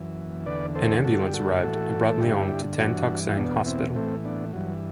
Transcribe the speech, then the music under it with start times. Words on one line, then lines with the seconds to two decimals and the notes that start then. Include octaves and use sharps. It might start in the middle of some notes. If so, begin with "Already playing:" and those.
An ambulance arrived and brought Leong to Tan Tock Seng Hospital.
Already playing: F#2 E3
0.46 E2 D3 B4 D5
0.75 A4 C5
1.04 G2 D3 F#4 A4
1.22 G4
1.34 F#4 A4
1.63 A2 E3 F#4 A4
2.09 A4
2.21 G2 D3 E4 G4
2.78 G2 E3 D4 F#4
3.29 E4
3.37 E2 B2 B3 D4
3.66 C4 E4
3.95 A2 E3 A3 C4
4.25 B3 D4
4.53 G2 E3 F#3